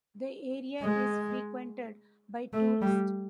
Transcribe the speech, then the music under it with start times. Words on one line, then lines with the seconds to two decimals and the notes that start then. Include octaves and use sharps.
The area is frequented by tourists.
0.83 G#3
2.53 A3
2.82 G3